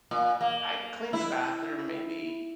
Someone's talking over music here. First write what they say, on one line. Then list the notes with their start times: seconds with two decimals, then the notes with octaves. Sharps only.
I clean the bathroom maybe,
0.11 A#2
0.41 A#3
1.13 E4